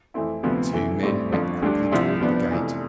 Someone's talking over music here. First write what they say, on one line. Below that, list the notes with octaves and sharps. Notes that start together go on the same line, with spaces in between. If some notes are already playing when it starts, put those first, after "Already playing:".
The two men went quickly towards the gate.
F2 E3 A3 C4 E4
D2 C3 F3 B3
D2 C3 E3 A3
A1 A2 G3 C4
G1 F2 D3 F3
D2 D3 G3 D4
C2 C3 F3 C4 E4
C2 C3 F3 B3 D4
F1 F2 E3